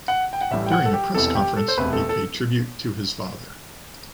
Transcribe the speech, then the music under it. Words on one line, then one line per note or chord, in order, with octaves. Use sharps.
During a press conference, he paid tribute to his father.
F#5
G5
F#5
A1 A2 G3 E5
G5
F#5
A4
G4
E1 E2 C3 E3 A4
G4
A4
C5
E1 D2 C3 B4
A4
A4